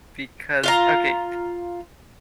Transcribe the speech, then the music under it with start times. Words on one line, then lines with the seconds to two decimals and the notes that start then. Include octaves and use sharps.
because okay
0.64 F4 F5 A#5